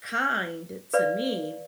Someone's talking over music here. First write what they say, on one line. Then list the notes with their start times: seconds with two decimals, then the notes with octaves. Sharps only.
kind to me,
0.94 B4 D5 F5